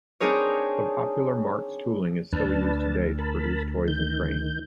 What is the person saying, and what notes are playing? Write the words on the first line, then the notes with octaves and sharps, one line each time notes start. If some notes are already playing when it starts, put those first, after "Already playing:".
Some popular Marx tooling is still used today to produce toys and trains.
C4 D4 D#4 G#4 A#4 C#5
D2 D4 B4 A5
A#4 A5 B5
D#3 G6